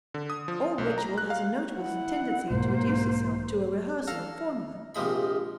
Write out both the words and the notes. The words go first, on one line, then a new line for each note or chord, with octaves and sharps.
All ritual has a notable tendency to reduce itself to a rehearsal of formulas.
D3
D#6
F3
F4
B1
A#5
F#6
F5
E4 F#5
B1 G#2 A#3 C5
A4 F5 A#5
A#1 C3 F3 G#3 B5